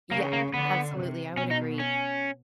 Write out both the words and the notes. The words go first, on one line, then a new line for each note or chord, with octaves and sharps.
Yeah. Absolutely. I would agree.
C#3 A#3
A#3
D3 B3
C3
B2 C#4
D#4
C#4